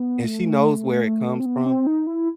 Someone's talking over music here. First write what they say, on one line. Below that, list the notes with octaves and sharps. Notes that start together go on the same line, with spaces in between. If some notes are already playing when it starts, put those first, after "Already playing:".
and she knows where it comes from,
Already playing: B3
A3
C4
B3
C4
D#4
E4